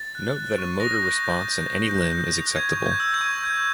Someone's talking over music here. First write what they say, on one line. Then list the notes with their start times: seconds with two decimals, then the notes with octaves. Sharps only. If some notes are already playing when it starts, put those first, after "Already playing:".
Note that a motor response in any limb is acceptable.
Already playing: A6
0.15 F#6
0.36 F#6
0.58 C#6
0.80 D#6 A#6
1.02 G6
1.24 G6
1.45 G6
1.68 G6
1.90 G6
2.12 G6
2.33 D#6
2.56 C#6 G#6
2.77 C#6
2.85 G6
3.00 E6
3.14 G#6
3.21 C#6
3.43 G6